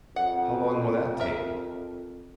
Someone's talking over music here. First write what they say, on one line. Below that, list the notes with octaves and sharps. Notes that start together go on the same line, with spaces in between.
"How long will that take?"
F2 F#5
A#4 E5